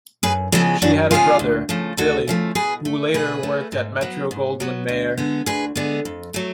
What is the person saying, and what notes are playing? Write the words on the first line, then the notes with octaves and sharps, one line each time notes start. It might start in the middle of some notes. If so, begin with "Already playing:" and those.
She had a brother, Billy, who later worked at Metro-Goldwyn-Mayer.
F#2 G#4 B4
C#3 F3 G#3 B3 F#4 A4
F#2 D4 F#4
C#3 F3 G#3 B3 F4 G#4
D2
C#3 F3 A3
D2 F#4 A4
C#3 F3 A3
B2 G#4 B4
A3
B2 G#4 B4
A3
G#2
F#3 B3
G#2
F#3 B3
D2
D3 G#3 B3
D2 G#4 B4
D3 G#3 B3
F2
F#3 A3